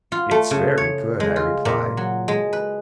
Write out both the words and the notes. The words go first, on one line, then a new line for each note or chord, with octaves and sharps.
"It's very good," I replied.
F4
A3
C#3
C#5
G#3
F4
A#2
F#3
G#3
B4